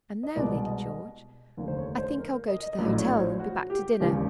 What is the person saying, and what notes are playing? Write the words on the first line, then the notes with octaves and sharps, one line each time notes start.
And now, Lady George, I think I'll go to the hotel and be back to dinner.
D#5
C2 B2 G#3 D5
D#5
F1 D#2 D3
C5
C#5
C5
A#4
D#5
D#5
D#5
A#1 A2 F#3 D5
C#5
C5
F#4
G4
E1 D#2 C#3 F3 G4